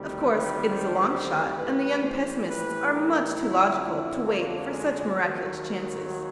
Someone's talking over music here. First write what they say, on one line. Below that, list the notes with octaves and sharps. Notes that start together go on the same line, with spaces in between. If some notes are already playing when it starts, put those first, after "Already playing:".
Of course, it is a long shot and the young pessimists are much too logical to wait for such miraculous chances.
Already playing: D2 C3 D#3 G3
B4
C5
A2 E3 G3 B4
C5
B4
A#4
F2 D3 F#3 E4
E4
A#3
G#3
D#2 D#3 F#3